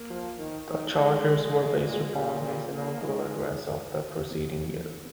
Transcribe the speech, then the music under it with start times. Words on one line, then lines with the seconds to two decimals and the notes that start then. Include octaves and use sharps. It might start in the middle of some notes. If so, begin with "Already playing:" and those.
The charges were based upon his inaugural address of the preceding year.
Already playing: A#3
0.10 F3
0.39 D#3
0.68 D#3
0.97 D#3 G#3
1.55 G#2
1.84 A#2 G#3
2.13 A#2 G3
2.43 G3
2.71 A#3
3.00 G#2 G#3